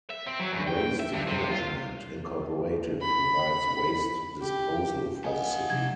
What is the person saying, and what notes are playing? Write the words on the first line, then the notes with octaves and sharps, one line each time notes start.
Waste Management Incorporated provides waste disposal for the city.
E5
C4
F#3
E2
G5
E5
G2
C3
F4
B5
G4
A3 D#5 F5 F#5 G#5
C3 F#3 G#6